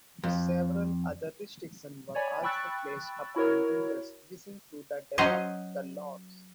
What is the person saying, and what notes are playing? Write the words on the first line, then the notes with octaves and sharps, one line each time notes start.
Several other restrictions were also placed upon builders wishing to develop the lots.
F2
C#5 D5 G#5 B5
G5 B5 C#6 E6 F#6 A6
E4 F#4 A#4 C#5
F#3 C#4 C5 D#5